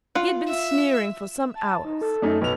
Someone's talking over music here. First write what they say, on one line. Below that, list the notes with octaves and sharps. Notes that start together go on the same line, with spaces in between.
He had been sneering for some hours.
F4 F#5
E5
A5
D#4
A4
F#2 A3 D#4
B1 B4 F7